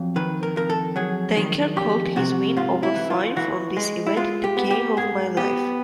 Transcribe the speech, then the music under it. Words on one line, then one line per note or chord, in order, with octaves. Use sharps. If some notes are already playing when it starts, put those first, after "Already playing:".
Denker called his win over Fine from this event 'the game of my life'.
Already playing: F2 F#3
D#3 B4
A#4
F2 A#4
A4
F#3 G#4
D#3
F2 G4
C3 F#4
G#2 F4
E4
E3
F4
E3 F#4
G#3
E4
G#3 F4
G4
B3
G4
G#2 G#4
B3 G4